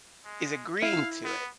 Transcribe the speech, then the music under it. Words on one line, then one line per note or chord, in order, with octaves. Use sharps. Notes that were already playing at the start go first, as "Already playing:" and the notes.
is agreeing to it,
G#3
E4 F5
B3